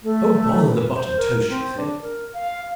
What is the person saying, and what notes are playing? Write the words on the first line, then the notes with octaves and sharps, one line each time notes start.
"Oh, bother the buttered toast," she said.
A3
B4
C5
A#4
C4
D4
A#4
F5